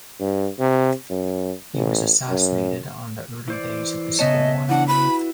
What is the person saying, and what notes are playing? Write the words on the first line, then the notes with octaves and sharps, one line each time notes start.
He was assassinated on the early days of the Civil War.
G2
C3
F#2
A1
F#2
E3 C5 D5
C#3 B3 C#5 D#5 E5 G#5 A5
E3 D4 F#5
E4 F#4 B4 B5